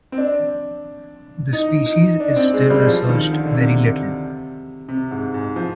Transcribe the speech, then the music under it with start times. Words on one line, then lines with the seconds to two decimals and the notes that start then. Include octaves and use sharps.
The species is still researched very little.
0.12 C4
0.18 D4
1.53 D#4
1.86 D#4
2.20 D4
2.36 C4
2.54 G#3
2.70 G3
2.87 F3
3.09 D#3
3.32 D3
3.46 D3
3.54 C3
4.89 C3
5.11 G#2
5.34 G#2
5.56 F3